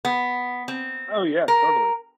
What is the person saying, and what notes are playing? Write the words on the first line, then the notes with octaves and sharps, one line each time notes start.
Oh yeah, totally.
B3
C4
A#4